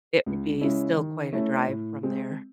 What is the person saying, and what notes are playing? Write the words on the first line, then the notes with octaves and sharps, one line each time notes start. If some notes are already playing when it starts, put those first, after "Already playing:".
it would be still quite a drive from there.
C#2
C#3 G#3 C#4 E4
D#3
A3 C#4 E4
A2
G#3 C4